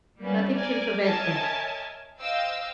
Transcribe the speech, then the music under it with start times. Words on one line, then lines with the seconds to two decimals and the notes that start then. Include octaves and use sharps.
Nothing can prevent that.
0.20 G3 A#3 B3 C#4
0.52 A#4 D5 G#5
1.01 A#4 C#5 D#5 E5 G#5 A5
2.19 C5 D#5 F5 G5 E6